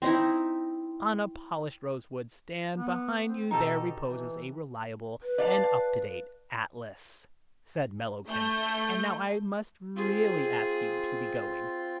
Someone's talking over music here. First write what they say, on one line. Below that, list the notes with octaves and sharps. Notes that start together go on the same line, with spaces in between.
"On a polished rose-wood stand behind you there reposes a reliable and up- to-date atlas," said Mellowkent; "and now I must really ask you to be going."
C4 D#4 E4
B3
C4
B2 D#4 G4 A4
E3
B4
D5 F5 A5
A3 G6
C4 F4 G#4